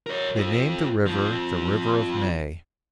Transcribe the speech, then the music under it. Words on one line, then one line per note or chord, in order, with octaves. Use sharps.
They named the river the River of May.
A#4 C#5
F4 A4
F2 F3